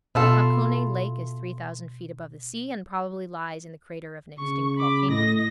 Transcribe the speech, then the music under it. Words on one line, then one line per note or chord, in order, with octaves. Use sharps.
Hakone Lake is three thousand feet above the sea, and probably lies in the crater of an extinct volcano.
B2 E4 F4 A4
C#3 C#6
B5 D6
A2 D#5 A#6